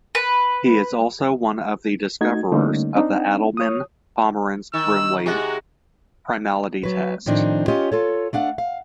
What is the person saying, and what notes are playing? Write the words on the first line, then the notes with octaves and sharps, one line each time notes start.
He is also one of the discoverers of the Adleman-Pomerance-Rumely primality test.
B4
A3 D#4 F#4 G#6
D3 G3 A3 A#3 C#4 D#4
C4 D4 D#4
C#5 D#6
D#3 E6
C3 G#3 F#4
F#3 B4
A2 D#3 F3 C4 D4 D#4
C#4 F4 G4 C#5 D#5
F4 A4 C#5
A3 D4 F5 F#5
F5